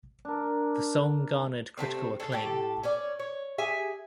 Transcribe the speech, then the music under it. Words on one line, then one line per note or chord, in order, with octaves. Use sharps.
The song garnered critical acclaim.
D4 A#4
C3 D#3 A3 C4
C#4 G#4 A4
A2 G4 A4
C#4 C#5 D5
C#5
G4 G#4 E5 G#5